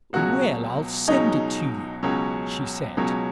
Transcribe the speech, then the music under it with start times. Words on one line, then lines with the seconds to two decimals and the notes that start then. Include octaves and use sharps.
"Well, I'll send it to you," she said.
0.13 C#2 B2 F#3 C#4 F#4
1.07 C#2 B2 F#3 C#4 D#4
2.03 C#2 B2 F#3 C#4
2.97 C#2 B2 F#3 C#4